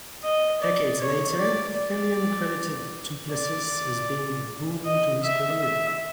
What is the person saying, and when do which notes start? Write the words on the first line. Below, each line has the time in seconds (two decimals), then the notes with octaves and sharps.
Decades later, Filion credited Duplessis as being a boon to his career.
0.24 D#5
0.62 D5
1.00 C#5
1.39 D5
1.77 D5
3.31 D5
4.85 D#5
5.24 E5
5.62 E5